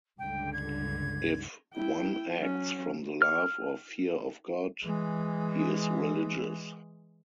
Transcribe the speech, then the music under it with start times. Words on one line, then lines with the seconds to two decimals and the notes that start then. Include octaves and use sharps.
If one acts from the love or fear of God, he is religious.
0.18 C#2 G2 D3 G5
0.52 G#6
1.75 E4 G5
2.38 F#3 C#4
3.22 F6
4.84 E3 G#3